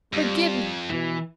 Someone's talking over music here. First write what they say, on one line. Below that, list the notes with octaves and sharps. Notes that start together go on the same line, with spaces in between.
Forgive me!
F2 G3
B2 E3